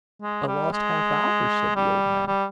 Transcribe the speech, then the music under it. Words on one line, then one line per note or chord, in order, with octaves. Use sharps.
"A lost half-hour?" said the old man.
G#3
G3
G#3
G3
G3